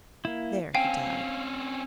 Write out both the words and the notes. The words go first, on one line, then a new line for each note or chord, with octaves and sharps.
There, he died.
A#3 E4
C4 C#4 F5 G5 G#5 E6